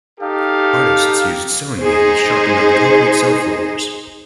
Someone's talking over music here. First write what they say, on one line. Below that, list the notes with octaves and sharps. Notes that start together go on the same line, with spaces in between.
Artists used sewing needles sharpened on concrete cell floors.
D#4 G4 A4 F5
D#4 G#4 C5